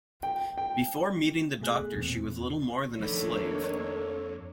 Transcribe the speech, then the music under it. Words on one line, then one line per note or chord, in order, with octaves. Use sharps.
Before meeting the Doctor she was little more than a slave.
G5
G5
B2 A3 G#4 F#6
E2 A#2 C4
F2 D#3 A3 A#3 D4 A4 C#5 B5